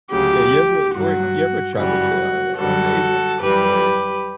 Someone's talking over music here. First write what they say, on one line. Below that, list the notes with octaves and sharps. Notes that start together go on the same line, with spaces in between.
Yeah, you ever your you ever traveled to, uh, around Asia? Or
D2 C#3 F#3 G4
G2 F#3 F#4
F#2 C#3 E3 G3 F#4
F#2 D3 G3 F#4 A4
F#2 E3 G3 G4 B4